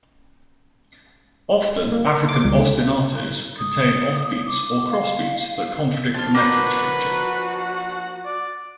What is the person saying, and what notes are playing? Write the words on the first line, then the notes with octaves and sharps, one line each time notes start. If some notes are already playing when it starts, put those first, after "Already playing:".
Often, African ostinatos contain offbeats or cross-beats, that contradict the metric structure.
A#3
A#4
D6
C#2
D3
D#6
D6
F5
F2 F3 F4 A5
F3 A#3 D4 F#4 B4 A#5
D5